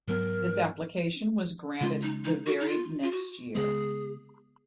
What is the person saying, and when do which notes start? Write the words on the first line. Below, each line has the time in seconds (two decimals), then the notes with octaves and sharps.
This application was granted the very next year.
0.07 G#2 F#3 B3 A#4
1.81 C#3 G#3 C#4 F4
2.03 D#4
2.25 D#4
2.47 F#4
2.60 D#4
2.69 F4
3.03 F4
3.12 F#4
3.55 C#3 G#3 B3 G#4